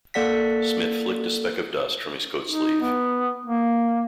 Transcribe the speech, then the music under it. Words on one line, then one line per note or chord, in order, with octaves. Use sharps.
Smith flicked a speck of dust from his coat sleeve.
A#3 A4 D5 F#5 A#6 B6
D#4
B3
A#3